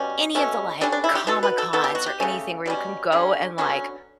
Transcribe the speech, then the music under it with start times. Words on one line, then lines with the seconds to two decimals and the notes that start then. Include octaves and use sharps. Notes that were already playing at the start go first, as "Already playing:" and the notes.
any of the, like, Comic Cons, or anything where you can go, and, like,
Already playing: B2 G3 C#4
0.35 B2 A3 C#4
0.81 D3 G3 C#4 D4
0.92 D4
1.04 E4
1.15 G4
1.27 B2 F#3 B3 A4
1.43 B4
1.58 A4
1.73 B2 F#3 B3 A4
1.84 G4
1.95 F#4
2.06 G4
2.20 C#3 F#3 A3 C#4
2.66 B2 G3 C#4
3.12 D3 G3 C#4
3.58 D3 F#3 B3 C#4